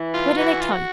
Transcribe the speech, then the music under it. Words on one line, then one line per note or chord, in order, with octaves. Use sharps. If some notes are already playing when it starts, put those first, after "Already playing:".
What did I tell you?
Already playing: E3
F4
E3 F#4
F4
F#4